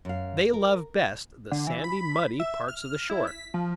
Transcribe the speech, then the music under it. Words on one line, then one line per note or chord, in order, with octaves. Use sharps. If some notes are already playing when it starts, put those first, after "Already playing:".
They love best the sandy, muddy parts of the shore.
F#2 F5
A#4
D3
E3
B5
E5
F6
E4
B6
F3